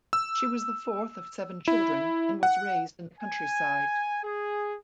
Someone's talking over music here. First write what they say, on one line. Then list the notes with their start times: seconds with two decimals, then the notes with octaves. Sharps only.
She was the fourth of seven children and was raised in the countryside.
0.13 E6
1.68 E4
2.43 F#5
3.19 G#5
4.23 G#4